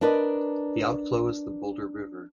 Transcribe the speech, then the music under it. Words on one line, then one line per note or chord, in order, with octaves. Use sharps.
The outflow is the Boulder River.
D4 A#4 B4 D5 D#5